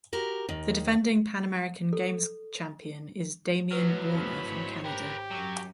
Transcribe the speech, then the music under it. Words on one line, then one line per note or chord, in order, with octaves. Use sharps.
The defending Pan American Games champion is Damian Warner from Canada.
F#4 G4 A#4
D#2 D#3
A4
A2 F#3 B4 F6
F2 F3 B5
G#1 C5 C#5
G4 A#4 B4 G5
F#2 F#3